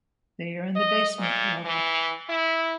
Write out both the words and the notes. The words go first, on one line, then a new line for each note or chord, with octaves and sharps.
They are in the basement level.
D#5
A#2
E3
E4